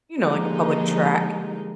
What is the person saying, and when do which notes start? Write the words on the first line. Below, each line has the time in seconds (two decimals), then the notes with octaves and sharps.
you know, like a public track
0.20 D3 F3 G3 G#3 A#3 D#4